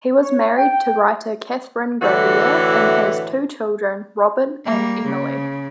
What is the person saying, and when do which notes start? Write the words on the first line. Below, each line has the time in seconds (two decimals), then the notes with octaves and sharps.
He was married to writer Katherine Govier, and has two children, Robin and Emily.
0.21 C#5
0.56 G5
2.02 A2 D3 E3 A3 F#4
4.65 G3 A#3
5.04 C#3